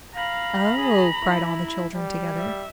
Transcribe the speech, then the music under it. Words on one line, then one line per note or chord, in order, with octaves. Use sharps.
"Oh!" cried all the children together.
F5 A#5 B5
G#4
E4
G3
E5